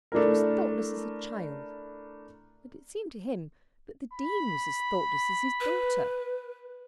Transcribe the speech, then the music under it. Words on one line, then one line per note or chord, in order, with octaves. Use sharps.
She was thoughtless as a child;--but it seemed to him that the Dean was as thoughtless as his daughter.
A3 D4 E4 A#4
B5
B4